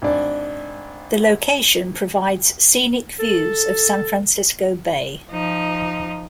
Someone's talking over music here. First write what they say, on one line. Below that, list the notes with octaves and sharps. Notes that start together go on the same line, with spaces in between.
The location provides scenic views of San Francisco Bay.
G#1 D4
A4
F3 D#4